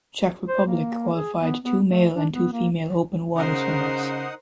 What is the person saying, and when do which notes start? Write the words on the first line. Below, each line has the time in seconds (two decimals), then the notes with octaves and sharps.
Czech Republic qualified two male and two female open water swimmers.
0.48 C5
0.67 A#3
1.14 G#4
1.39 B3
1.63 B3
1.87 A3
2.16 D4
2.32 B3
2.52 A#3
3.36 C#3 D#4 A#4 C5 F#5 D#6